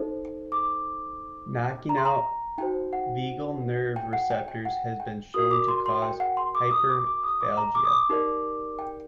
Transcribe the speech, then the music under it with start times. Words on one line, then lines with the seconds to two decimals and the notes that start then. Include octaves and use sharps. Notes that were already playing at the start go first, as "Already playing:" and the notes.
Knocking out vagal nerve receptors has been shown to cause hyperphagia.
Already playing: D#4 A4 C5
0.52 D6
1.89 A#5
1.98 C6
2.05 A#5
2.58 D#4 F#4 C5 G5
2.93 F#5
3.96 G5
4.13 F#5
4.31 G5
4.48 G5
4.65 F#5
5.00 G5
5.34 F#4 A#4 D5 D#6
5.51 D6
5.68 C6
5.86 C6
6.02 G5
6.20 F#5
6.37 C6
6.55 D6
6.71 D#6
6.89 D6
7.06 D6
7.23 D#6
7.41 D6
7.57 A#5
7.75 D6
7.85 D#6
7.92 D6
8.09 D#4 G4 A#4 D5
8.79 G5